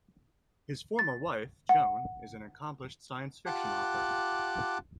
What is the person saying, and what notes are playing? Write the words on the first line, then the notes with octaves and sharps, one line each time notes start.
His former wife, Joan, is an accomplished science fiction author.
A6
F#5
F4 G4 F#5 A5 D6 F#6